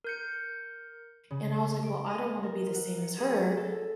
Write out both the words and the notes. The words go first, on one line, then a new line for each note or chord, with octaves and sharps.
and I was like, "Well, I don't wanna be the same as her,
A#4 G6 C#7
C#3
D7
D#5
A#4
F#5
C#7
G#4
A4